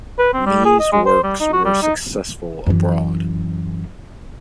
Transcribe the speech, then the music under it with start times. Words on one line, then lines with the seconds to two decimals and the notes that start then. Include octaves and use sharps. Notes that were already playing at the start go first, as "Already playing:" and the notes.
Mee's works were successful abroad.
0.18 B4
0.33 C4
0.46 G3
0.65 G#4
0.79 D#5
0.92 G#3
1.06 C5
1.23 G3
1.40 D#4
1.53 F#4
1.65 G3
1.82 D#4
2.67 F#2 E3